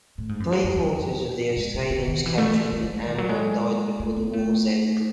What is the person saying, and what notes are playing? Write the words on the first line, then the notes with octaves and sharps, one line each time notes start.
Three-quarters of the Australians captured on Ambon died before the war's end.
A2
G#2
F#2
G#2
F#2
E2
G#2
B2
C#3
D#3
E3
A3
A3
G#3
G#3
G#3
E3
D#3
F#3
G#3
A3
B3
A3